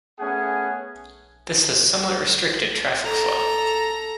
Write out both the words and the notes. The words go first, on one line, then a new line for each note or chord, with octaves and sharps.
This has somewhat restricted traffic flow.
A3 B3 C#4 G#4 F#5 G#5
A4 A#5